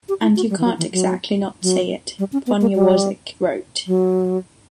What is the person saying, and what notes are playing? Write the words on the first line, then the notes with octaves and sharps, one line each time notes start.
And you can't exactly not say it, Poniewozik wrote.
G4
E4
F#4
G3
E3
F#3
E3
F#3
F#3
G3
C#4
B3
A#3
G3
F#3